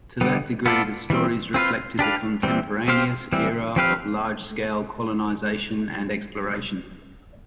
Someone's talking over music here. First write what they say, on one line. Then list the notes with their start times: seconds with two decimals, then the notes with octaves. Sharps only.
To that degree, the stories reflected the contemporaneous era of large-scale colonization and exploration.
0.21 D3 G3 B3
0.66 B3 F4 A4 D5
1.10 E3 G3 C4
1.54 C4 F4 B4 F5
1.99 D4 G4 B4 F5
2.43 E3 G3 C4
2.88 C4 G4 C5 F5
3.33 E3 G3 C4
3.76 F3 C4 G4 B4 F5